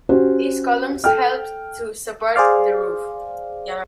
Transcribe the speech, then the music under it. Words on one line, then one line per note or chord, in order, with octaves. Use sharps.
These columns helped to support the roof.
C#4 F#4 G4 C5
A4 G5 F6
G#4 C5 D5 F5